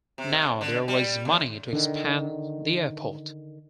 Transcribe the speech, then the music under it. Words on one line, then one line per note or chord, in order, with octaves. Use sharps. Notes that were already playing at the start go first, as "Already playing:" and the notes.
Now there was money to expand the airport.
C3
D3
G3
D#2
D3 D#3